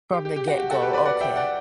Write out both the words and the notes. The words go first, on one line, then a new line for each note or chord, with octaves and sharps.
From the get-go, okay.
G4
G4
G4
F#4
G4
F#4 A4
G4 B4
B4 D5
D5 F#5
E5 G5
D5 F#5